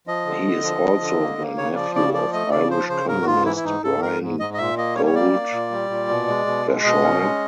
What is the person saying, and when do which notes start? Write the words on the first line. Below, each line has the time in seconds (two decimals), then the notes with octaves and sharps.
He is also the nephew of Irish communist Brian Goold-Verschoyle.
0.07 F3 D#5
0.26 D3
0.45 D3
0.63 F3
0.82 F3
1.01 D3
1.20 A#3
1.38 A#3
1.57 C#3 C#5
1.76 F3 D5
1.95 C#3 D5
2.14 F3 D5
2.33 A3 D#5
2.51 C#3 D5
2.70 F3 C5
2.89 C#3 C5
3.08 G#2 A#4
3.22 F#4
3.27 G#2 F4
3.45 E3 E4
3.56 E4
3.64 G#2 D#4
3.83 G#2 A4
4.02 G#2 A#4
4.21 G#2
4.39 G#2 D#5
4.54 D#5
4.58 A#2 E5
4.77 A#3 D#5
4.96 G3 C#5
5.06 C#5
5.15 A#3 D5
5.33 A#3
5.52 A#2
5.71 G3
5.90 A#2
6.09 B2
6.28 G#3
6.46 B2
6.66 G#3
6.84 B2 D#5
7.02 C#4
7.22 G#3